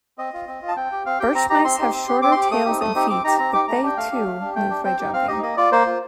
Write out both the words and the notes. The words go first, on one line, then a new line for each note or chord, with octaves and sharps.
Birch mice have shorter tails and feet, but they, too, move by jumping.
C4 D#5
F4
C4
F4
A5
C4 G5
G4
C4 F5
G4 G5
C4 A#5
D#4 G4 A#5
C4 C6
D#4 G4
C4
G4
C4 D6
C6
G4
D6
A3 D#6
C4 D#4 G4
A3 D#6
C4 D#4 G4
C4 D6
D#4 G4 A#5
C4 A#5
D#4 G4 D6
A3 A#5
D4 G4 G5
A3 F5
D4 G4
A3
D4 G4
A3 G5
D4 G4
C4 G5
D#4 G4
C4 F5
D#4 G4 D#5
A#3 D#5
F4 D5
A#3 C5
F4